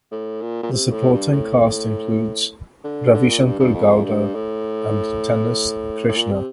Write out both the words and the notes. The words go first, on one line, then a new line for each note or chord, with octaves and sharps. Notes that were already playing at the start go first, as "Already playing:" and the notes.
The supporting cast includes Ravishankar Gowda and Tennis Krishna.
A2
A#2
A#2
C3
A2
G2
A2
D3
D3
A#2
G2
G2
F2
G2
A2
A2
A#2
C3